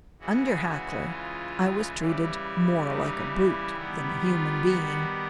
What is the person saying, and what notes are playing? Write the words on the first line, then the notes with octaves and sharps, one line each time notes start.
Under Hackler I was treated more like a brute than a human being.
C#3 E3 G#3 F#4
F#4
F4
C#3 E3 G3 E4
D#4
E4
D#3 G3 B3
F4
F#4